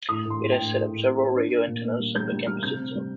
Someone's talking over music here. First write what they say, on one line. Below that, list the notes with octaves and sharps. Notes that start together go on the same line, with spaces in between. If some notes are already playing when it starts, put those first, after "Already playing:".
It has set up several radio antennas in the campus itself.
A2 D#6
A2
C6
A2
G5
A2
A2
A2
C4
C4
D4
D4
A#2
A#3
G3
G3 G6
G3
G3 F6
C3 G6
C3
G3